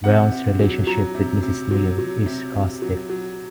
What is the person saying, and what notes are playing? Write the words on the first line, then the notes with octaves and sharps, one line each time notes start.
Brown's relationship with Mrs. Neall is caustic.
C3 F#5
C3
F#3
F#3 A#5
C3
C3
F#3
F#3
C3
C3
F#3
F#3